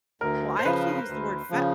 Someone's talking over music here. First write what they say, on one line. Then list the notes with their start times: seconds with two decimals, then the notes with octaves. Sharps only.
Well, I actually use the word fa
0.21 D2 A#4
0.59 C5
0.65 C#3 F3 B4
1.08 D2
1.50 C#3 F3